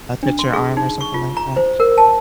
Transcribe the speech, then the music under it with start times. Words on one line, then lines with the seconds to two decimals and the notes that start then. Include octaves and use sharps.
touch your arm or something like that,
0.23 D4
0.39 C6
0.54 G#4
0.77 D#4
1.01 C#6
1.14 F4
1.37 A#5
1.56 C5
1.80 A#4
1.98 A5